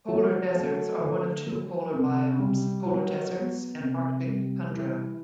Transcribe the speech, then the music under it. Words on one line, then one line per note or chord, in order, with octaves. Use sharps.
Polar deserts are one of two polar biomes: polar deserts and Arctic tundra.
F#3
A3
D3
F#3
C3
G3
F#3
B3
C3
G3
E3